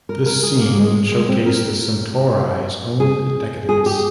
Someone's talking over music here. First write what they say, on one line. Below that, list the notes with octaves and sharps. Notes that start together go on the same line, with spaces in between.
This scene showcased the Centauris' own decadence.
A#4
A#4
G#4
A#3
G#3
G#3
C4
A#4
G#4
G#4
G4